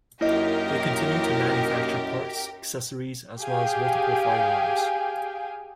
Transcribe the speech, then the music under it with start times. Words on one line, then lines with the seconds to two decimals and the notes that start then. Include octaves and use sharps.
They continue to manufacture parts, accessories, as well as multiple firearms.
0.21 F#2 A#3 D#4 E4 G4 A#4 C#5 D#5
3.41 G4 G#4 F5 G5 G#5